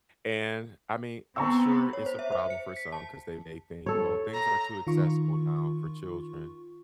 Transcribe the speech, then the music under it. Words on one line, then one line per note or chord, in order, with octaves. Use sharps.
And, I mean, I'm sure it's a problem for some 'cause they may think, "Well, things are too accessible now for children,"
B3 C4 A#5 C#6 E6
C#5
C5
E5
C5
C#7
B6
A5
A4 C#5
A#5
D#3 F4 C#6